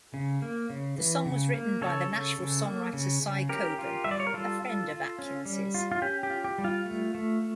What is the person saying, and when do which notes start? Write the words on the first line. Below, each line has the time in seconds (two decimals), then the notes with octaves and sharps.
The song was written by the Nashville songwriter Cy Coben, a friend of Atkins's.
0.14 C#3
0.42 A#3
0.70 C#3
0.98 E3
1.26 C#3
1.54 A#3
1.81 C#3 A4 C#5
2.10 C#3
2.38 C#3
2.66 A#3
2.93 C#3
3.22 C#3
3.49 C#4 G4 A#4
3.78 F4
4.04 G3 E5
4.11 D5
4.20 C#5
4.27 A#4
4.34 G3 F4 A4
4.62 F4
4.90 F4
5.19 C#4
5.45 G3
5.74 F4
5.92 F4
6.02 C#4 G4
6.23 G4
6.30 F4
6.44 G4
6.58 G3
6.64 F4
6.85 A3
7.15 A3